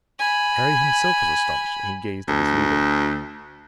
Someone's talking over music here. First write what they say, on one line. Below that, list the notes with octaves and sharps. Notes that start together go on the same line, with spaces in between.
Harry himself was astonished, and he gazed at his leader.
G#5 B5
D2